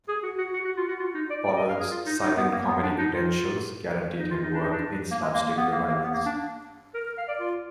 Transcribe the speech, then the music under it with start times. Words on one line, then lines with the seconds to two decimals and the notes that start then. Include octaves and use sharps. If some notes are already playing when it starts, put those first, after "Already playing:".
Pollard's silent-comedy credentials guaranteed him work in slapstick revivals.
0.08 G#4
0.23 F#4
0.38 F#4
0.53 F#4
0.65 F#4
0.77 F4
0.88 F#4
1.00 F4
1.14 D#4
1.30 D5
1.45 D5
1.56 D#5
1.68 F5
1.80 G#4
1.91 F4
2.06 D#4
2.21 D#4
2.37 B3
2.52 A#3
2.67 B3
2.82 D4
2.98 D#4
3.12 F4
4.19 D#4
4.31 F4
4.43 D#4
4.54 D4
4.63 D#4
4.72 D4
5.11 A#3
5.22 G#3
5.34 A#3
5.46 A#3
5.57 B3
5.72 A#3
5.88 A#3
6.03 B3
6.14 A#3
6.26 D4
6.94 A#4
7.06 A#4
7.17 F5
7.28 D5
7.40 F4